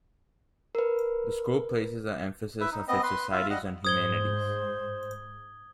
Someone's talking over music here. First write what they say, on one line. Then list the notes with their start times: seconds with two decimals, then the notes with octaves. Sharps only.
The school places an emphasis of its societies on humanities.
0.75 A#4 B4
2.61 E4 B4 E5
2.72 D#4
2.88 B3 C4 D#5
3.03 B4 C6
3.32 F4 E5 F5
3.50 G3 D#5 F#5
3.85 G#2 C5 D#6 G#6 G7